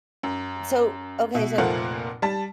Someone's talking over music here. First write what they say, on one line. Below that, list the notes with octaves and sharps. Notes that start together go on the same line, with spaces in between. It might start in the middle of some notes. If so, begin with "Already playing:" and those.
So, okay, so,
F#2
B2 E5
F1 A#2 F3 A3 A#3 F#5
G3 A5